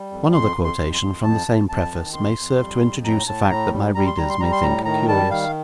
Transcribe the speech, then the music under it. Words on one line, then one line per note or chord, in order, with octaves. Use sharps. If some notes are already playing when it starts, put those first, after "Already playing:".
One other quotation from the same Preface may serve to introduce a fact that my readers may think curious.
Already playing: G3
F2
F2 C6
F2
C6
F2
C6
F2
F2 A5
F2
F2 A5
D#3
F2 C6
F2
G3
F2
A2 A#5
A2 A5
A2 A#5
G3
G3 A#5
C6
G3 A#5
C6
G3 A#5
C6
A2 A#5
D#3 A#5
G3 A5
D#3 F5